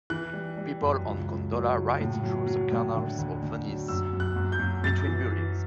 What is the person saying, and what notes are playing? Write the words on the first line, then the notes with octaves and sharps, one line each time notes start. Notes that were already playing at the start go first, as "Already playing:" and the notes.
People on gondola rides through the canals of Venice between buildings.
E3 F#6
G3
G3
F#2
C#2
C#2
F#3
C#2
A2
F#3
F#3
A2
D3
D2
D2
F#3
F#2 E6
F#2
F#6
F#2
G6
F#2
F#2 A6
E3
E3